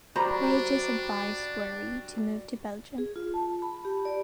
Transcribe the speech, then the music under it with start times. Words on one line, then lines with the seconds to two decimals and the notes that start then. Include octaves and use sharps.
Lages advised Wery to move to Belgium.
0.16 G3 D4 F#4 C5 A#5 B5
2.98 G#4
3.16 F4
3.34 A5
3.62 B5
3.85 G4
4.05 D5